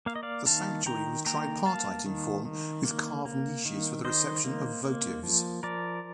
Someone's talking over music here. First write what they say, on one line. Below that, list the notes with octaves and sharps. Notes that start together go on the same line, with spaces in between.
The sanctuary was tripartite in form with carved niches for the reception of votives.
A#3 F5
D#5
D5 F5
D#3 F5 A5
D#3 G5 A#5
A#3 G5 A#5
A#3 F5 A5
D#3
D#3
A#3
A#3
D#3
D#3 C5 D#5
A#3
A#3
F3
F3 A#4 D5